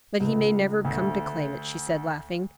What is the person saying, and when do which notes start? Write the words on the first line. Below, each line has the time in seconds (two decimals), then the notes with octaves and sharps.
"But he may never come to claim it," she said, laughing.
0.20 C#2
0.85 D2